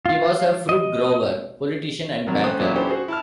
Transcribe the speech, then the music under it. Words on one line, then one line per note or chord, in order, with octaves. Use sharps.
He was a fruit-grower, politician and banker.
F4
D#5
C3 D#3 F#3 G3 D4 A#4
C#4 A4 C5 G5 D#6 F#6
E2 A#2 F#3 C#4 E5
C#4 D4 E4 G4 A4 C5
F#4 G#4 C5
E4 A5 F6